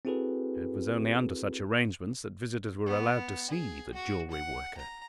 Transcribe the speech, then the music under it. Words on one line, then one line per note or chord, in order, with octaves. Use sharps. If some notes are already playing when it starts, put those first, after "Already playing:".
It was only under such arrangements that visitors were allowed to see the jewelry worker.
C4 E4 F#4 G#4 A4 B4
B3
G#4
F#4
F#5
A#5